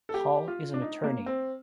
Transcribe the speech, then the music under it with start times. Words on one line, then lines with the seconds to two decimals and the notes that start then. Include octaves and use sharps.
Hall is an attorney.
0.09 A4
0.14 G4
0.48 F4
0.74 D4
0.82 D#4
1.04 A#3
1.26 C4